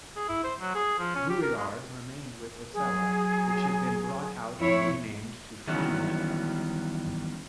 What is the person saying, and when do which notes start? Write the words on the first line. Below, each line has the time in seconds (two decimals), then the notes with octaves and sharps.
Grouillard remained with Osella, which had been brought out and renamed to Fondmetal.
0.16 G#4
0.29 E4
0.43 C5
0.60 F#3
0.75 G#4
0.99 F3
1.15 C#4
1.29 G4
1.42 A#4
1.56 G#3
2.73 F#3 G#4
4.58 F2 E4 C#5
5.67 D#3 E3 F#3 G3 B3 C#4